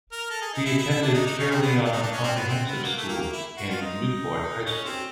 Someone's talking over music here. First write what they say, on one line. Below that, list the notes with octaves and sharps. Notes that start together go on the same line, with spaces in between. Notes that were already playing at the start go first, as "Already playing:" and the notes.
He attended Caerleon Comprehensive School and Newport High School.
A#4
A4
G#4
D#4
E4
E4
E4
D4
D#4
D#4
C#4
C4
B3
D4
D#4
D4
C#4
C4
B3
C4
B3
A#3
A3
A#3
A#3
E4
F#4
F4
D#4
C#4
C4